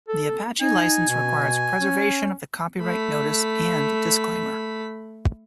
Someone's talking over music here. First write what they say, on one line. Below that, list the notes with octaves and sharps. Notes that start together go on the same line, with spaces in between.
The Apache License requires preservation of the copyright notice and disclaimer.
A4
D#4 G#5
B2
C#4
A3 B5